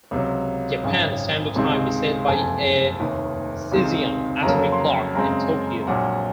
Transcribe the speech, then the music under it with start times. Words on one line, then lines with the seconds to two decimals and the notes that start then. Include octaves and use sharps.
Japan Standard Time is set by a caesium atomic clock in Tokyo.
0.11 C#2 C3 F#3
0.83 G#1 F#2 C#3
1.55 C#2 C3 D#3 G#3 C4
2.27 F#1 F2 C3 G#5
3.00 F1 D#2 D#3
3.72 C#2 C3 D#3 G#3 C4
4.43 F2 C#3 F#3 A#3 A#5
4.72 C6
4.80 A#5
5.15 F#2 C#3 G#3 C4 A#5
5.87 A#1 A#2 F#3 F#5